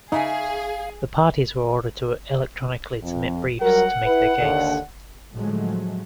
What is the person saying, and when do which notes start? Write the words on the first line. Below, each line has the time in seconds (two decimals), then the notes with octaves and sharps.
The parties were ordered to electronically submit briefs to make their case.
0.12 C#3 D#4 G#4 E5 F5 G#5
3.02 F2
3.61 F#3 G3 A#4 F#5
4.05 E4 B4
4.39 D#2 D3
5.32 A2 D3 F3 F#3 G#3 A3